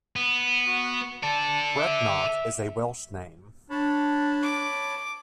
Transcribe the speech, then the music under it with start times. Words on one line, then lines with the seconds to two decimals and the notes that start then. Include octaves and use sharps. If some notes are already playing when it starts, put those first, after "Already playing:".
Brecknock is a Welsh name.
0.16 B3
0.67 F#4
1.23 A4 D5 A5
1.77 E5
3.70 D4 C#5 A5 B5
4.43 D6